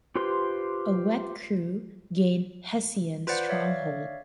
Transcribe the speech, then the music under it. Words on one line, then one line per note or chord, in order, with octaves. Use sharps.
A wet crew gain Hessian stronghold.
F4 G4 B4 C5 C6
F4 B4 C5 D5 F#5
C#5 D5 E5 F5